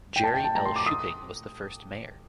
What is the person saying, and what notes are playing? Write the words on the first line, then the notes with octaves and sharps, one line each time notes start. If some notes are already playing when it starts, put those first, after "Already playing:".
Jerry L. Shuping was the first mayor.
G5
A5
G5
A5
A#5
C6
D6
D#6